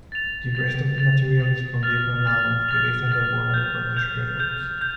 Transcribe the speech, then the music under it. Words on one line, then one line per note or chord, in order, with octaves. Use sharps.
The rest of the material is from different albums released under Warner Brothers Records.
A6 F7
A6 F7
A6 F7
A6 F7
F6 A6 F7
F6 A6 F7
F6 A6 F7
F6 A6 F7
G6 F7
G6 F7
G6 F7
G6